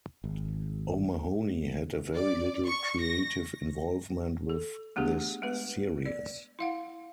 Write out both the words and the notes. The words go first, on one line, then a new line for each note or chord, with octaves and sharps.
O'Mahony had very little creative involvement with this series.
G#1
D5
C#6
A#6
A4
A3 B3 D4 G4 G#4
G#3 B3 B4
D5
E4 F5 F#5